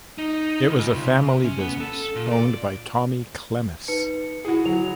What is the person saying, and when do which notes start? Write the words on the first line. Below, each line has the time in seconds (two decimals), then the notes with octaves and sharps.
It was a family business owned by Tommy Klemis.
0.18 D#4
0.68 C#2
0.97 C3
1.44 C#4
1.60 B3
1.80 A4
2.15 A#2
2.32 D5
3.88 D#4 B4 C#7
4.45 E4 F#4 G#4
4.65 F#3 F7